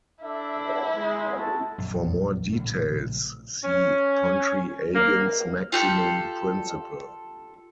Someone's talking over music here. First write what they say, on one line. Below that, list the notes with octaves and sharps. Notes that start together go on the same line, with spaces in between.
For more details see Pontryagin's maximum principle.
D4 E4 A4 E5
G#3
F#4 A4 A5
A#1 F#2
A#1 A2 C#3 A3
C#4
A#3
F4 G4 A4